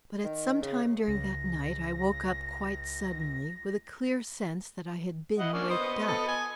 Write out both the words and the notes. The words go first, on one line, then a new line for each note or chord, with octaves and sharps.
But at some time during that night I woke up quite suddenly with a clear sense that I had been waked up.
D#3
C#3
C#2 A#6
E4 D#5 F#5
A#3 C#4 D4
B3 C5 D#5
A4
G#5